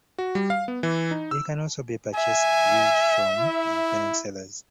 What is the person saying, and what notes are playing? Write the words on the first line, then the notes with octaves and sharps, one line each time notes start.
It can also be purchased used from independent sellers.
F#4
G3
F5
B3
E3
D#4
E6
E5 G#5
E4